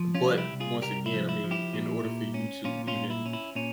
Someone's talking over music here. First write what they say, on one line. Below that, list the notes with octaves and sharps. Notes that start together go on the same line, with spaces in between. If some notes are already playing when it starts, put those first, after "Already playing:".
but, once again, I mean, in order for you to even
Already playing: F3
C#4 F4
C2
E4 G4
C2
F4 G#4
C2 G4 A#4
E4
F3
E4
F3
E4 G4
A#2
A#2
C#4
A#2 C#4 F4
C#4 F4
A#2
E4
C#4
E4
A#2 C#4